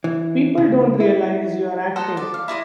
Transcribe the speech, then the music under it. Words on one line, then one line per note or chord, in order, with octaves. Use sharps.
People don't realize you're acting.
E3
C#3
E4
A4 C5 D#5 F#5
D5
F5
E4 D5 D#5 C6